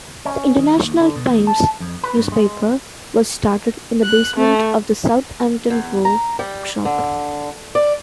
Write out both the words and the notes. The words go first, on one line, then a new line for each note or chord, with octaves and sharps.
The "International Times" newspaper was started in the basement of the Southampton Row bookshop.
C#4
D#3
D#2
D3
B2
D#2
A5
F2
B4
G2
G#3
F#6
A3
E2
A#5
G3
D3
D5